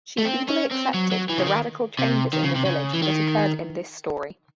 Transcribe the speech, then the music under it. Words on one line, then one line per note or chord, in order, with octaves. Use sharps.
She eagerly accepted the radical changes in the village that occurred in this story.
A3
C4
C#4
C4
F#3
F#3
E3
C#3
D#3
C3
D#3
C#3
C3
C#3
E3
D#3